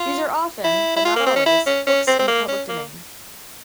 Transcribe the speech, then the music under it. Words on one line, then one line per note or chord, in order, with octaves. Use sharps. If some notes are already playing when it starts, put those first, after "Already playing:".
These are often, but not always, books in the public domain.
Already playing: F4
E4
E4
F4
A#3
C4
C#4
E4
C#4
C#4
C4
C4
A#3
C#4
A#3